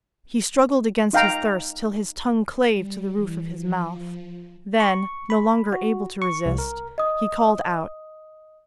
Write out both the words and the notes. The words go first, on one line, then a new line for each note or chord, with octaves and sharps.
He struggled against his thirst till his tongue clave to the roof of his mouth; then, no longer able to resist, he called out.
D#4 F5 G5 A#5
G3
E3
F3
C#6
B5
F#4
C#6
C2
A#4
D#5 D#6